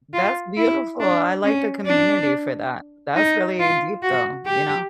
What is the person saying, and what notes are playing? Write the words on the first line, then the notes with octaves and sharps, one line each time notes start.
That's beautiful, I like the community for that. That's really deep though, you know.
F4
E4
D4
C#4
D4
D#4
F4
F#4
G4